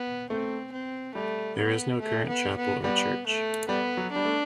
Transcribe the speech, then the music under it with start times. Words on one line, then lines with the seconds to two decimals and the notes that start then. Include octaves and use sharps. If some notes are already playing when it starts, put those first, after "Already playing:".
There is no current chapel or church.
Already playing: B3
0.30 A3 C4
0.72 C4
1.15 G3 A3
1.57 B3
2.00 A3
2.28 B3
2.56 B3
2.84 G3 B3
3.27 A3
3.68 G3 B3
3.97 F#3
4.11 G3 D4
4.25 A3